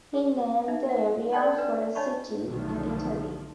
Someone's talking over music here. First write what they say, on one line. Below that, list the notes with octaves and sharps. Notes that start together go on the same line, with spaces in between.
He named the area for a city in Italy.
G#4
D#4 E5 A#5
F#5
A4 D5 D#5 G5 A5 C6
D4 B4
D4 C#5 D#5 A5 B5 C#6
B1 D3 D#3 F3 A3